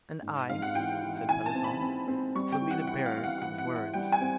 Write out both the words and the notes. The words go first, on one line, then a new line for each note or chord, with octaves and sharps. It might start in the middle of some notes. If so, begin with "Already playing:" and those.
"And I," said Pelisson, "will be the bearer of the words."
G#2
G#2 F5
F#5
E3 G5
E3
E3 G#5
A5
C4
B5
C4
C4
G3 C#6
G5
E3
F#5
E4 F#5
F5
E4
F#5
E3 F#5
F#5
E4
F#5
G3 G5
G#5
C4